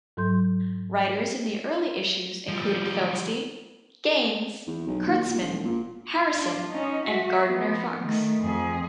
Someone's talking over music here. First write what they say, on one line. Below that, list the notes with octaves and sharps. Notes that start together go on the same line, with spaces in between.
Writers in the early issues included Feldstein, Gaines, Kurtzman, Harrison and Gardner Fox.
G#2 F#3 A4 C6 G6
F3 G3
E2
B1
D#2
A#2
E1
A#2
D4 F4
C#4 D#4
F#4 E5
F3 B3
D#3 A3
F2 G#4